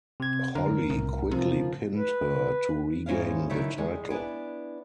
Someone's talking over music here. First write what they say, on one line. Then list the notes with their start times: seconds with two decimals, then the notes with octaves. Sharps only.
Holly quickly pinned her to regain the title.
0.20 C3 G#6
0.55 F#2 D3 A#4
0.90 C2 A2
1.31 C3 F3
1.96 B4
3.06 G#2 G#3 C#4 E4 F5
3.50 D3 D#3 F#3 D#4 E4
3.78 E2 G3 G#3
4.10 B3 D4 E4 G#5